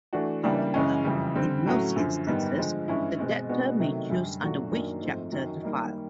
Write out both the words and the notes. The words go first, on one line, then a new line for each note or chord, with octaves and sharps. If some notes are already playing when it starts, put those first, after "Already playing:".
However, in most instances the debtor may choose under which chapter to file.
E3 A3 D4 F#4
C#3 E3 G3 A#3 D4
F#2 C#3 E3 G#3 C#4
F2 C#3 E3 G3
D3 G3 C4
A2 F#3 A3 C#4 F#4
F#2 D3 F3
G#2 D#3 G3 B3
D3 F3 G#3
G2 E3 G#3 C#4 E4
B2 G#3 C4
B2 G#3 B3 D4 F#4
C3 D#3 F#3 A3
F#2 D3 G3
A#2 F#3 A3 D4 F#4
F#2 D#3 F#3 A#3 D4
G#2 F3 A3 C4
F#2 D#3 F#3
D#3 G3 A#3 D#4